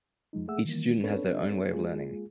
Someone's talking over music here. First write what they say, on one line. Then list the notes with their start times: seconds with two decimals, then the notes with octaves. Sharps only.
Each student has their own way of learning.
0.33 F2 F3 G#3 D#4
0.48 A3 A#3 G#4 E5 F#5 E6
0.64 D#3 E3 G3 A#3
1.03 B3 C4 D4 A4 B4 C#5
1.71 G#3 A#3 F4 G#4